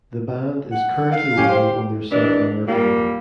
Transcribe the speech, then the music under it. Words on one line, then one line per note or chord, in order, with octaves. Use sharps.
The band is currently working on their sophomore album.
F#5
F5
C#4 G4
C5
C3 D#3 E3 D4
A#2 G3 A#3